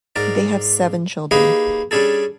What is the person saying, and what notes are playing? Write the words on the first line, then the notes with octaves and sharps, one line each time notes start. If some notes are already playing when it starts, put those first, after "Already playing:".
They have seven children.
G#2 A#4 D5
A#3 D#4 G4 G#4 B4 D#5
G3 C#4 D4 G#4 A4